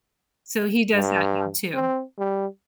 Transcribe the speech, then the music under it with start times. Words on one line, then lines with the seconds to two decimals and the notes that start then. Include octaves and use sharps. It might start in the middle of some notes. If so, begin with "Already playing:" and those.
So, he does that now too.
0.95 G2
1.74 C4
2.18 G3